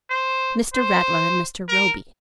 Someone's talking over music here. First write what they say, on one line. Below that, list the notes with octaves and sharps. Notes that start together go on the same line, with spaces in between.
"Mr. Rattler and Mr. Roby."
C5
C5
A#4